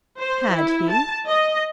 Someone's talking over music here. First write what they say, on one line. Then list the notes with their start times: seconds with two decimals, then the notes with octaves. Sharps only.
Had he?
0.20 C5
0.52 E4
0.92 A5
1.28 D#5